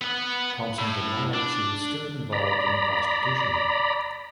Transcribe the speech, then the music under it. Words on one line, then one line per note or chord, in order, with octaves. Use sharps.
Thompson denied she was still involved in prostitution.
B3 F#5
A2
D4
D5 A#5 B5